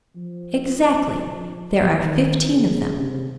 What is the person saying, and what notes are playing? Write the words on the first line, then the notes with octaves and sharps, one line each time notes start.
"Exactly; there are fifteen of them."
F3
D#3
C#3
C3